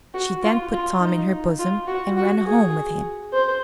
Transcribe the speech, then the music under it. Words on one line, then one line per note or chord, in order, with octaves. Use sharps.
She then put Tom in her bosom and ran home with him.
F#4
F4
F4
D#4
F4
F#4
F#4
G#4
C5